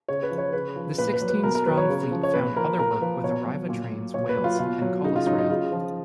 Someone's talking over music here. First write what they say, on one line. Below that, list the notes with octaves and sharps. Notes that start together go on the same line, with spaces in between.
The sixteen strong fleet found other work with Arriva Trains Wales and Colas Rail.
C#3 C#5
B4
F3
C#5
C#3 B4
F3
A#2 B4
B4
F#3
B4
B2 A#4
A#4
F#3 B4
C#5
C#3
F3
C#5
A#2 B4
F3 A#4
A#2 A#4
F3 B4
B2 C#5
F#3
A#2
F#3
A#2 C#5
B4
F#3
F4
B2 F4
F#3
C#3 D#4
F4
F#3 D#4
D#4
C#3 F4
F3